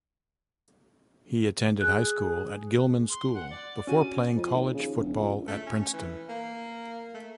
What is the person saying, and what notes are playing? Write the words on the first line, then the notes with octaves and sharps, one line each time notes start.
He attended high school at Gilman School before playing college football at Princeton.
G#4 F#6
C6
F#5
D5
C#4 F#4 G#5
F2
D#2
C#3
E1
C#2
A3
C#4
E3
A#3
A3